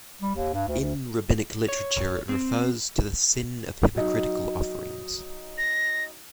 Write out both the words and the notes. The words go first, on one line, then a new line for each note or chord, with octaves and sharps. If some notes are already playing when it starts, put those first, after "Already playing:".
In rabbinic literature it refers to the sin of hypocritical offerings.
G3
D#2
G2
D2
D2
C#5
C4
F#3 D#4
A#6